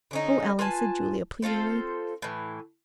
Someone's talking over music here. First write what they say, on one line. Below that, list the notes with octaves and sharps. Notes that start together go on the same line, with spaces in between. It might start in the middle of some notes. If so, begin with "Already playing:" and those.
"O Ellen!" said Julia pleadingly.
D3 C#4 D#4
F4 B4 G#5 A5
C4 F4 A4 C5
A2 E3